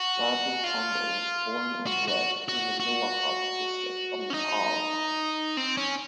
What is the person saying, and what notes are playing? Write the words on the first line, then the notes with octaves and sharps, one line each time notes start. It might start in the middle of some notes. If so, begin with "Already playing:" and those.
Badri Pandey was born and bred in the Nuwakot District of Nepal.
Already playing: F#4
F4
F#4
F#4
F#4
F#4
C#4
D#4
C4
C#4